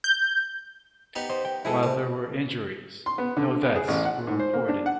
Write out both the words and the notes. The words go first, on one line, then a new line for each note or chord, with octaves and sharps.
While there were injuries, no deaths were reported.
G6
B3 D#4 G4
C5 D#5
G5
G#2 E4 G#4 A4
C3
C6
B3
D3
B3
G#4
A1
F#5
G#2
C5
A#3
D4
F#5